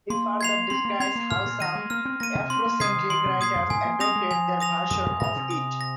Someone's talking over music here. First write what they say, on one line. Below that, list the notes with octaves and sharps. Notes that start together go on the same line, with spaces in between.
He further describes how some Afrocentric writers adopted 'their version' of it.
A#3 C6
G#6 C7 F7
C4 C6
A#3
C4 G#6 C7 F7
A#3
G#2 F6
A#2
D#3 A#6 D#7
G#3
A#3 F6
C4
A#3 A#6 D#7
C3
C4 C6
A#3
C3 D#6 G#6 C7
D#3
D#3 C6
C3
A#2 D#6 G#6 C7
F2
G#2 G#5
A#3
C4 D#6 A#6 F7
G#3
F3 G#5
D#6 A#6 F7
F2 D#6
F2
G#2 A#6 F7
C3
D#6
A#6